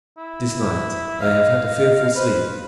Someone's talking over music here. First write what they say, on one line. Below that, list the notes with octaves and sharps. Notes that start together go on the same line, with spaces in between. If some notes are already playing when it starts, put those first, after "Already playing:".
This night I have had a fearful sleep.
E4
D#5 F5
B4 C5